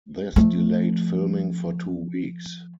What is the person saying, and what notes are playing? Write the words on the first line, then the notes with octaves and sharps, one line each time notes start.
This delayed filming for two weeks.
F3 A3